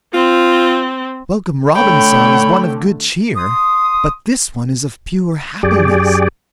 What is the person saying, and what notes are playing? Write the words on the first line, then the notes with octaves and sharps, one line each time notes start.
Welcome Robin's song is one of good cheer, but this one is of pure happiness.
C4 F4
D3 A3 C#5 G5 B5
C6 D#6
F#2 G4 G#4 D5